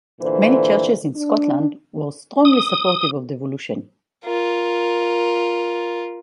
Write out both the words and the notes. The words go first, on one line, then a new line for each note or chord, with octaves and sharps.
Many churches in Scotland were strongly supportive of devolution.
A#2 D3 E3 C5
D4
D#6
F4 A#4